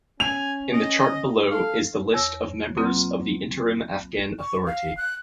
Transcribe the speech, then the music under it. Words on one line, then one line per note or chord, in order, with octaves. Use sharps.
In the chart below is the list of members of the Interim Afghan authority.
C#4 G#5 F7
D#5
A4 F5
E2 C#5 E6 A#6
B2 F#3 A#3 C4 F4
C#6
F5
F#6